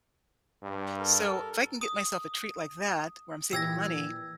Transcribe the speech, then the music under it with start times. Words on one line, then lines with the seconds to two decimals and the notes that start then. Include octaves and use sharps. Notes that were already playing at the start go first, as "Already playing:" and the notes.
So, if I can get myself a treat like that, where I'm saving money,
0.63 G2
0.99 A4 A#4
1.81 D#6
3.53 A#2 E3 G4 E6 G#6 A#6